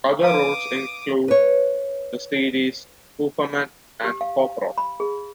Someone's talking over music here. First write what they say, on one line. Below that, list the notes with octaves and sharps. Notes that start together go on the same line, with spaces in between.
Other roles include the series "Hooperman" and "Cop Rock".
B4 F5 A#5 D6 D#6
B4 C#5
G4
F5
F5
B5
G#4